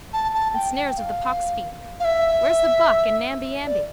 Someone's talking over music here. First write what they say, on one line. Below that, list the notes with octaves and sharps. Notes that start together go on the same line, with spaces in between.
And snares of the poxfiend. Where's the buck and Namby Amby?
A5
A5
G5
G5
F5
F5
E5
D5